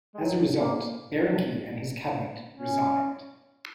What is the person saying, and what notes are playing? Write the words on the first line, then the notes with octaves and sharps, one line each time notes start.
As a result, Berinkey and his cabinet resigned.
G#3
F#3
A#3
C#4